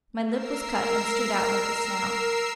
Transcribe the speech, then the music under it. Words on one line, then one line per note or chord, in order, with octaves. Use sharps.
My lip was cut and stood out like a snout.
A#4 E6 C7